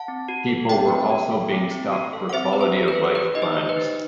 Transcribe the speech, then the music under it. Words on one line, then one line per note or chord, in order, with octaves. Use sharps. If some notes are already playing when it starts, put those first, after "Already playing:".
People were also being stopped for quality of life crimes.
Already playing: F#5 A5
C4
F#4
A4
C4 E5 G5
C4
F#4
A4
C4
C4
F#4
A4
F#5
C4 C5 E5
C4 B4
C5
F#4
B4
A4
G4 B4
D#4 D#5
C5
G4
B4
D#4